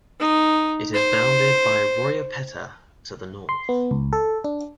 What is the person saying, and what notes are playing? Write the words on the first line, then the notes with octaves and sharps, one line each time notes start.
It is bounded by Royapettah to the north.
D#4
C5
C6
B3
C#2
A4
D4